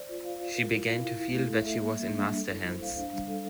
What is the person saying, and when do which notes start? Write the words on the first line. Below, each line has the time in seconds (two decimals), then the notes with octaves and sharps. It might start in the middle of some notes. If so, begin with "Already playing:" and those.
She began to feel that she was in master-hands.
Already playing: C5 D5
0.09 F4
0.24 F5
0.39 F4
0.55 A#4
0.70 E4
0.85 F5
1.00 E4
1.15 E4
1.30 A3
1.46 A4
1.61 E5
1.76 A#3
1.91 G3
2.07 D4
2.22 G3
2.37 A4
2.52 E4
2.67 C5
2.82 F5
2.97 D4
3.13 G3
3.27 A4